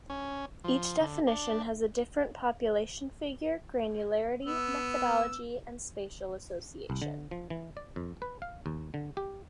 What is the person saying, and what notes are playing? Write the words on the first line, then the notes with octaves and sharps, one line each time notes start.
Each definition has a different population figure, granularity, methodology, and spatial association.
C#4
F3
D3
D4
B3 E6
C2
D3
F3
E3
D5
F2
B4
F5
D#2
D3
G4